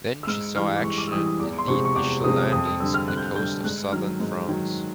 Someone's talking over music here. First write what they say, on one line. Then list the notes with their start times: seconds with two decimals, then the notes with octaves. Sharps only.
Then she saw action in the initial landings on the coast of southern France.
0.23 E6
0.27 G#2 F6
0.56 E3 G3 F6
0.76 D6
0.84 G#2 C#6
0.98 D6
1.07 E6
1.12 E3 G3 D#6
1.26 D#6
1.40 E2 D6
1.59 C6
1.67 C3 F3 G#3 C#6
1.85 C#6
1.96 E2 D6
2.24 C3 F3 G#3 D#6
2.52 F2 D#6
2.66 D#6
2.80 D3 G3 E6
2.94 F6
3.08 F2 F#6
3.17 G6
3.26 F#6
3.36 D3 G3 G6
3.64 G#2 F#6
3.92 D#3 F#3 F6
4.20 G#2
4.49 D#3 F#3